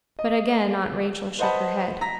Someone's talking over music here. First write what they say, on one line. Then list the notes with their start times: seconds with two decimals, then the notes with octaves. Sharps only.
But again Aunt Rachel shook her head.
0.19 D#5
1.39 B4 C5 D#5 F#5 A5 B5
2.01 A#5 A#6 B6